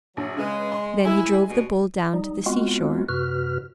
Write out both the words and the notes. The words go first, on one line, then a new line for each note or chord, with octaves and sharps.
Then he drove the bull down to the seashore.
A#1 F#3
C#3 G#3 B4
C6
G#3 E4 G#5
G2 B2
G3 D#4
G#3 B3 C4 F4 F#4
F#2 C3 F#4 B4 F6